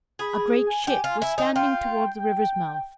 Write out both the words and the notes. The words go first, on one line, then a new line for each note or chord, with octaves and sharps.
A great ship was standing towards the river's mouth.
G#4 B5
G#5
G4
F4
E4
D#4
F4 G5